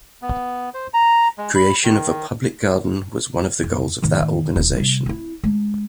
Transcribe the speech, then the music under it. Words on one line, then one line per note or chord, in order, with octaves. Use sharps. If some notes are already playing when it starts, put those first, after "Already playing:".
Creation of a public garden was one of the goals of that organization.
B3
C5
A#5
G#3
B5
D#3
F2
A2 D#3
D#1 F4
C3 G3
C4 E4
G#3 D4